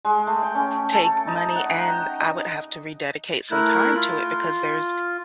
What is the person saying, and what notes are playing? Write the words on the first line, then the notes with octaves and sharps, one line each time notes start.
take money, and I would have to rededicate some time to it, because there's
G#3
A3
G5
C#4
A4
D#4
F#5
A#5
G5
D#5
A3 E4 A#4 F#6
F4